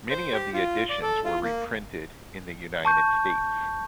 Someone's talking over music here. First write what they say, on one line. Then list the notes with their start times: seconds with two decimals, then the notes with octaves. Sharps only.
Many of the editions were reprinted in the United States.
0.10 C5
0.33 G4
0.54 F4
0.89 D5
1.02 A4
1.24 F4
1.43 A#3
2.85 A5 C#6 G6